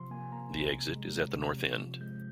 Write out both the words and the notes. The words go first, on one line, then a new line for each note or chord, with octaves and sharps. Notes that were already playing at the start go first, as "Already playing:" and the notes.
The exit is at the north end.
Already playing: C3 F3 C6
A#3 G#5
A#3 A#5
A#1
C3
G#3
C3
C3
F3
F3
G#3 G6